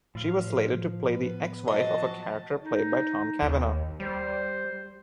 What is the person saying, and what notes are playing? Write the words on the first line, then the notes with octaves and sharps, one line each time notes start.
She was slated to play the ex-wife of a character played by Tom Cavanagh.
A2 F3 F5
B3 B4
F3 F#3 F#4 G#4 D#5 A5
D#4
D#2
G3 C5